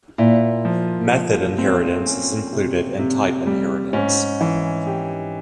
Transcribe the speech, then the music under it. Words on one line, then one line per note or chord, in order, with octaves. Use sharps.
Method inheritance is included in type inheritance.
A#2 E4
F3
F3
C4
C#4
C3
C3
G3
G#2 C#4
E3
G4